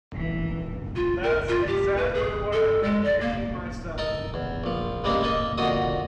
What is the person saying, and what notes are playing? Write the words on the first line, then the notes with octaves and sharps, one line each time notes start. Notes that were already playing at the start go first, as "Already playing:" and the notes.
That's exactly what I've been thinking myself.
E3
F4
A#4
F4
G4
B4
G#4
A4
G#3
D5
A#3
D#4 A4 A#4
E2
A#1 F3
C#2 C3 G3 G#3 A#3 C4
A#3 A4 D#5
F2 A#2 D3 F#4 D#5 D#6